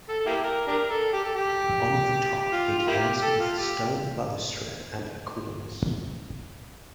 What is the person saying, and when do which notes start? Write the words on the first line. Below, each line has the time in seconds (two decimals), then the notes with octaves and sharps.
On the top it ends with a stone balustrade and a cornice.
0.09 A4
0.20 A4
0.26 A#3 E4 G4
0.43 A#4
0.68 D4 G4 A#4
0.91 A4
1.13 G4
1.24 A4
1.35 G4
2.53 F4
2.78 F4
2.87 A#3 E4 G4
3.15 G4
3.22 A4
3.40 F4
3.58 G4